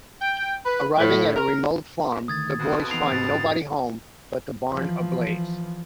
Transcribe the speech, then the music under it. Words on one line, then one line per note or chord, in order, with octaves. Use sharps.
Arriving at the remote farm, the boys find nobody home but the barn ablaze.
G5
B4
A2
A#4
D3 D#3 A3 D#6 G#6 A6
F2 B2
E3 B3 D#4 C7 D7 F7
G#2 A6
E3 F3